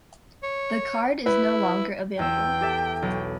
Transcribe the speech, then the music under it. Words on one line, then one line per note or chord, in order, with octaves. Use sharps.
The card is no longer available.
C#5
E4 B4
E2 G5 E6
G4 A4 E5
B1